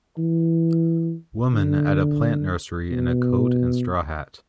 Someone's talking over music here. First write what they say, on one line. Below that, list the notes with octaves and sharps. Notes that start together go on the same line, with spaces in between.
Woman at a plant nursery in a coat and straw hat.
E3
D3
B2